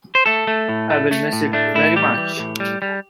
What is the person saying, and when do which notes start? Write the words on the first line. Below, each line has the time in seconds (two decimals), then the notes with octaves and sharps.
I will miss it very much.
0.15 C5
0.26 A3 A4
0.47 A3
0.69 A2
0.90 A3
1.11 A3
1.33 A2
1.53 A3 D4
1.75 A2 E4
1.96 G3 G4
2.17 E3
2.39 A2
2.60 G3
2.82 G3